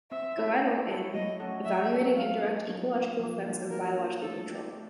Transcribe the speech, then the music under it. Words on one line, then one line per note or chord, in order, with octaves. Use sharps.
Goettel in "Evaluating Indirect Ecological Effects of Biological Control".
C4 E5
E4 A4 C#5
C4
E4 A4 C#5
F#3 D#5
A3 C#4 F#4 A4
F#3 E5
A3 C#4 F#4 A4
F#3 F5
A#3 D4 F4 A#4
F#3
A#3 D4 F4 A#4
F3
A#3 D4 F4
F3 A#4
A#3 D4 F4
A3 A4
D4 G4
A3